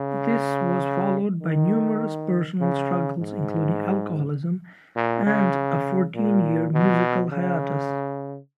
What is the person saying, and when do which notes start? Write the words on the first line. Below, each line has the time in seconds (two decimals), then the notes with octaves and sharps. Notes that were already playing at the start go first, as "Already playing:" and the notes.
This was followed by numerous personal struggles including alcoholism, and a fourteen-year musical hiatus.
Already playing: C#3
1.42 D#3
2.61 C#3
3.20 G#2
4.96 A#2
5.26 C#3
6.15 A#2
6.74 B2
7.32 C#3